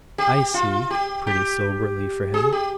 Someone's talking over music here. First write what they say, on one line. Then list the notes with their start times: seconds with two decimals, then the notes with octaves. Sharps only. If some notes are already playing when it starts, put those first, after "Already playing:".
"I see," pretty soberly, for him.
0.18 G4
0.54 F4
0.91 G4
1.27 G4
2.34 G#4
2.52 G4